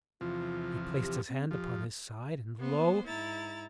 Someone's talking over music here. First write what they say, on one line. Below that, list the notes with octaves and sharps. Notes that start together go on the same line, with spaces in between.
He placed his hand upon his side, and, lo!
E2 C3 F3 F4
G4
C4
F2 F3 G4
A#3 B3 C5
G#2 E4 A#5 A6